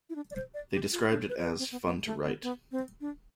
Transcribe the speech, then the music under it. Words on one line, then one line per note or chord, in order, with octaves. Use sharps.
They described it as "fun to write".
E4
D4
D5
C5
D5
G4
F4
D4
B4
C5
B4
C4
B3
B3
A3
B3
B3
C4
D4